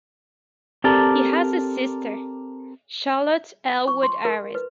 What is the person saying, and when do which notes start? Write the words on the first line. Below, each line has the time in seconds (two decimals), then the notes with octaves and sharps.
He has a sister, Charlotte Ellwood-Aris.
0.84 C4 G4 A4 A#4 D5 A5
3.88 C#6
4.03 C6
4.25 A#4
4.55 B4